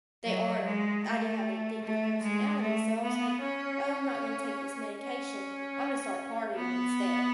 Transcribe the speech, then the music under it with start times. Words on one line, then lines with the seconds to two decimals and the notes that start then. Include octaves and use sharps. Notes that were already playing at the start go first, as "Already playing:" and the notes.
they are I do have an addictive personality. So, I was like, "Oh, I'm not gonna take this medication. I'm gonna start partying instead."
0.25 F#3
0.65 G#3
1.05 A3
1.83 A3
2.22 G#3
2.62 A3
3.02 B3
3.42 C#4
4.99 C#4
6.56 B3